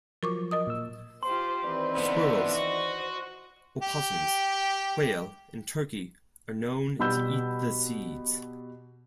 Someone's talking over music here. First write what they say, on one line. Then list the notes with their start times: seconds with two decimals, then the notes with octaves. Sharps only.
Squirrels, opossums, quail, and turkey are known to eat the seeds.
0.23 F3 F#3 A#4 C#6 D6
0.51 A#4 D#5 D#6
0.67 A#2 E6
1.23 F4 G4 C5 C6
1.65 D#3 E3 C4 B4 D5
1.98 D3 B3
2.52 F#4 C5 D#5
3.82 G4 G5
6.99 B2 G3 B5 E6 G6